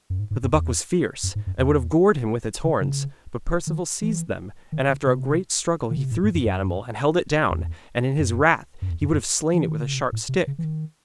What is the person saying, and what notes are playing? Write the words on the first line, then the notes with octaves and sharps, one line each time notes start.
But the buck was fierce, and would have gored him with its horns, but Perceval seized them, and after a great struggle he threw the animal, and held it down, and in his wrath he would have slain it with a sharp stick.
F#2
G#2
G#2
F#2
E2
F#2
G#2
F#2
E2
C#3
C#3
D#3
E3
D#3
C#3
C3
D#3
C#3
C3
A2
G#2
F#2
F#2
E2
F#2
F#2
E2
F#2
F#2
E3
D#3
C#3
C3
A2
C3
C#3
E3
D#3